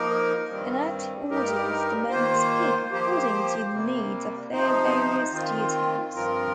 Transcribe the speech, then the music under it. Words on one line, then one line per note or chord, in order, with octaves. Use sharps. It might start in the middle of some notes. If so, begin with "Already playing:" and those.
In active orders the members speak according to the needs of their various duties.
Already playing: F3 A#3 D#4 A#4
G2 D#3 G3 C4
G2 G3 D#4 G4 A#4
D#3 A#3 F4 C5
F3 A#3 G4 C5
C3 G3 A#3
C3 F3 D#4 C5
D#3 C4 F4
G2 F3 C4 F4 A#4